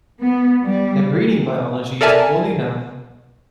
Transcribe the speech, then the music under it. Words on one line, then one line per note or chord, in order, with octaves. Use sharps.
Their breeding biology is poorly known.
B3
G3
A4 A#4 D5 E5 G#5 A5